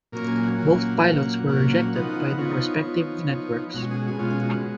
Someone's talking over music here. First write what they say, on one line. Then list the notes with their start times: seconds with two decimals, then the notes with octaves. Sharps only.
Both pilots were rejected by their respective networks.
0.12 A#2 F#3 A#3 C#4 A#4
0.28 G#5
0.43 F#5
0.59 A#2 F#3 A#3 C#4
1.03 A#2 F#3 A#3 C#4
1.48 A#2 F#3 A#3 C#4 F#5
1.93 F3 B3 D#4 F#5
2.08 F#5
2.24 F#5
2.38 F3 B3 D#4 C#5
2.83 F3 B3 D#4
3.28 F3 B3 D#4
3.74 B2 G#3 C#4 F#4
3.86 F#4
3.91 G#4
3.96 F#4
4.08 G#4
4.19 B2 G#3 C#4 F4
4.41 F#4